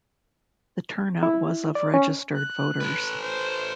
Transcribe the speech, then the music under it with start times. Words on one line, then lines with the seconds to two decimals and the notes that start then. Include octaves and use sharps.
The turnout was of registered voters.
1.23 E4
1.75 D5
1.94 C#4
2.36 F#6
2.81 A4 B4
3.22 C5